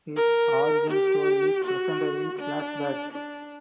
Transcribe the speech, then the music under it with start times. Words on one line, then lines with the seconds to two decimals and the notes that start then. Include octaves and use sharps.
His origin story is presented in flashbacks.
0.16 A#4
0.90 G4
1.64 F#4
2.39 D4
3.12 D4